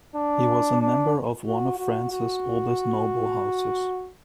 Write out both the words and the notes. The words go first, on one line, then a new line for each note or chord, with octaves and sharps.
He was a member of one of France's oldest noble houses.
D4
D4
F#4
F#4
F#4